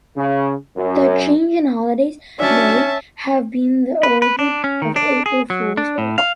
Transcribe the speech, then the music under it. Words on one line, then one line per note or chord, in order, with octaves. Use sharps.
The change in holidays may have been the origin of April Fools' Day.
C#3
F#2
F#3 C#4 D4 E5 A5
B4
B4
D4
C#4
D#3
D4
G#4
F#3
D4
A2
F5